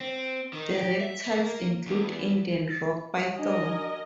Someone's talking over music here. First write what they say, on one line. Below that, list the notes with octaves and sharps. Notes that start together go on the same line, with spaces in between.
The reptiles include Indian rock python.
C4
D#3
G4
E5
A#3
E2
D4 F#4 A#4 D#5 G#5